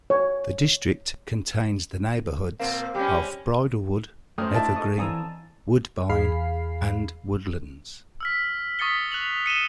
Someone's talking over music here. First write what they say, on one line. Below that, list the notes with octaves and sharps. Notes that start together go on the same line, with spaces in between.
The district contains the neighbourhoods of Bridlewood, Evergreen, Woodbine, and Woodlands.
C#5
A#2 A#3 C4
G3 G#3 C#4 G4
F#2 A3 C5 D5 G5 D#6 F6
D4 E4 A4 D#5 A5
A4 D#5 C#6 D#6
E3 C4 D5 F5 G#5 A#5 D#6 E6
E2 G#4 F5 B5 C7
E6 F6 B6
C#6 D#6 A6 B6 C#7 G7
F#6 F7 F#7
C#7 D#7 E7 G7